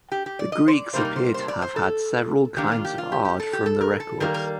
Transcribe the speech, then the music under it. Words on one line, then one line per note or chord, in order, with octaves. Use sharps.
The Greeks appear to have had several kinds of ard from the records.
G4
G4
D5
D#5
C5
D5
C3 G3 A#3 D#4 C5
A#4
C5
C5
D5
C5
A4
D#3 A#3 D4 G4
F4
G4
F4
G4
G4
A4
G4
A4
A#4
A4
D#3 G3 A#3 A#4
A#4